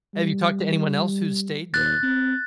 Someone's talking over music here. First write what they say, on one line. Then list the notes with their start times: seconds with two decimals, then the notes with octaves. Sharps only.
Have you talked to anyone else who's stayed there?
0.15 G3
1.74 D#2 F#6 A6
2.03 C4